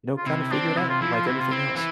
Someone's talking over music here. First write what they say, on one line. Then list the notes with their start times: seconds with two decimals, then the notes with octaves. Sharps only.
know? Kind of figure it out like everything else.
0.17 F4
0.26 C3 E4
0.51 C4 D4
0.77 C3 E4
0.89 F4
1.01 F3 E4
1.14 F4
1.26 C3 E4
1.39 F4
1.51 C4 E4
1.75 E3 E4